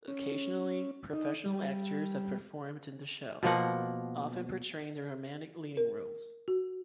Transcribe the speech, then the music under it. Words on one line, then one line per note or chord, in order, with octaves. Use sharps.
Occasionally, professional actors have performed in the show, often portraying the romantic leading roles.
C#4
D#4
G3
B2 F3 A#3 F#5
A#4
F#4